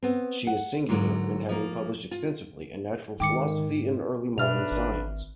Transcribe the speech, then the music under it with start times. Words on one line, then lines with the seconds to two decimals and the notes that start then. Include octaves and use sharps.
She is singular in having published extensively in natural philosophy and early modern science.
0.03 B3 C4
0.47 F#5
0.89 G#2 D3 F#3 A#3 D5
1.49 F3 A#3
2.11 F4
3.20 G#2 D#3 G5 D6 C#7
4.38 B1 B2 D4 B4 E5 F6 F7
4.72 G#1